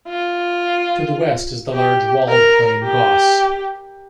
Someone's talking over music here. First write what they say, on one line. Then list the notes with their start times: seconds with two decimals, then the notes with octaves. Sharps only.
To the west is the large walled plain Gauss.
0.08 F4
1.73 G4
2.29 A#4
2.84 G4